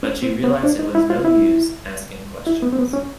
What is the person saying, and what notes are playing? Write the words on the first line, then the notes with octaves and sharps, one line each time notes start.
But she realised it was no use asking questions.
C#4
C4
B3
D4
D#4
E4
F4
E4
E4
B3
C4
B3
C#4